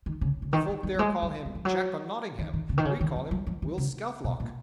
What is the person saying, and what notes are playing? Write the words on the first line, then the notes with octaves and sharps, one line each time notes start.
The folk there call him Jock o' Nottingham; we call him Will Scathelock.
D#3
C#3
C#3
D#3
F3
F#3
F#3
G#3
F#3
F#3
F3
F#3
D#3
D#3
C#3
D#3
C#3
D#3
F3
F#3
F3
D#3
C#3
B2
A#2